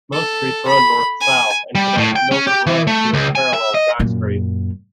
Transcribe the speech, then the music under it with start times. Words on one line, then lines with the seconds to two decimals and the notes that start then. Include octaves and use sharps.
Most streets run N-S and connect Milford road to its parallel: Guy Street.
0.12 A4
0.68 B5
1.21 G#5
1.75 G3
1.98 A2
2.16 G5
2.32 C#4
2.47 G4
2.67 E3
2.87 A3
3.14 C#2
3.35 G#5
3.54 E5
3.74 D#5
4.00 F#2 A#2